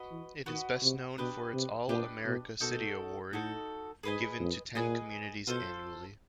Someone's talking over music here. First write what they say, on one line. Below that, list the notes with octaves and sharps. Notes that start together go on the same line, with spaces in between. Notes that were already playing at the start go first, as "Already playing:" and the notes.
It is best known for its All-America City Award, given to ten communities annually.
Already playing: F#4 B4 D#5
E3
D#3 F#4 B4 D#5
C3
B2 D4 G4 B4 D#5
C3
A#2 D4 G4 B4 D#5
B2
B2 D#4 F#4 A4
A2 D#4 F#4 A4
G#2 G#4 B4 D#5 G#5
F2
A#2 G#4 B4 D#5 G#5
B2 F4 A4 C5